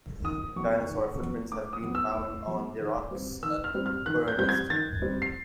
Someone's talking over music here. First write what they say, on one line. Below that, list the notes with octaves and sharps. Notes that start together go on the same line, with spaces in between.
Dinosaur footprints have been found on the rocks at Burniston.
D#3 D#6
F#3 B3 C#6
D#3
F#3 B3
A2 D6
D#6
F#3 B3
E6
A2
F#3 B3
D#3
G3 C4
D#3 E6
F6
G3 C4
F6
D#3 F#6
G6
G3 C4 G6
G#6
D#3 A6
G3 C4
C7